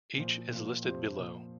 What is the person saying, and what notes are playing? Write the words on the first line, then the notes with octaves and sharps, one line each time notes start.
Each is listed below.
A#2 F3 C5
A#2 F3
F2 C3 F3 C5
A#2 F3